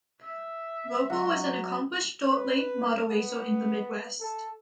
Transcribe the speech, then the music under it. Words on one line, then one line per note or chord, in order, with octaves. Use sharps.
Roper was an accomplished dirt late model racer in the Midwest.
E5
F#3 F#4
B4
B3
A4